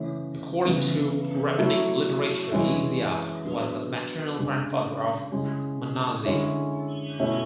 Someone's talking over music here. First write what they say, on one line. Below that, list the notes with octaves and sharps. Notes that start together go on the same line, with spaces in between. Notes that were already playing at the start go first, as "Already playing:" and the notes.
According to rabbinic literature, Isaiah was the maternal grandfather of Manasseh.
Already playing: C#3 E3 A3 C#4 E4
C#3 E3 B3
F#3 A3 E4
E3 G#3 C#4 E4
F#3 B3 D4
C#3 G#3 D4
C#3 G#3 C#4 E4
D3 G#3 C#4 E4
B2 A3 C#4 E4